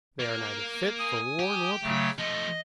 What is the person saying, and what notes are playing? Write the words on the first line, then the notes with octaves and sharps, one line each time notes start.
They are neither fit for war nor peace!
A#3
G#5 D#6
G4
C#3 F#3 A3
F3 A3 D#5